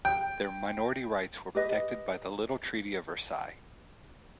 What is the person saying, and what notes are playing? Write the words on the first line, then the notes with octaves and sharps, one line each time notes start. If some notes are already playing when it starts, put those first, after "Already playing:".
Their minority rights were protected by the Little Treaty of Versailles.
G5
G4 B4 D#5